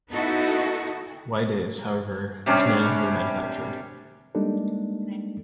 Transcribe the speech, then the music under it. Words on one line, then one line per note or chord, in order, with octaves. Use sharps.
Wydase, however, is no longer manufactured.
B3 D#4 E4 F#4 A4
C3 G3 C#4 D4
G3 G#3 A#3 D4 D#4 A4